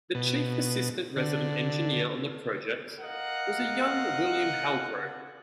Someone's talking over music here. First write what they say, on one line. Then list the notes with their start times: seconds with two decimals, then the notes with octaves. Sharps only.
The chief assistant resident engineer on the project was a young William Halcrow.
0.15 B2
1.16 D3
3.01 A#4 D#5 F5 F#5